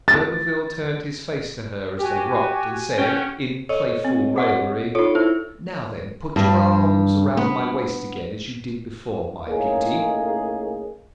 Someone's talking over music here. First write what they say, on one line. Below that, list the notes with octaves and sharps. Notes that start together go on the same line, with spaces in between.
D'Urberville turned his face to her as they rocked, and said, in playful raillery: "Now then, put your arms round my waist again, as you did before, my Beauty."
A6
F#4 G4 G#5
C#4 G4 F#5 G5
A4 C#5 D#5
C4
G#4 F#5 C#6
D#4 F4 A4 C#5
E4 C5
G2
B3
A2 A#3 C#4 D#4 G#4